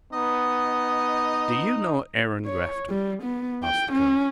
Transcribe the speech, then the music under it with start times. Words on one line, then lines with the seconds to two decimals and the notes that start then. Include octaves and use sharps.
"Do you know Aaron Grafton?" asked the colonel.
0.13 B3 D#4 D#5
2.46 C#5
2.89 G3
3.23 B3
3.64 G5
3.93 C#4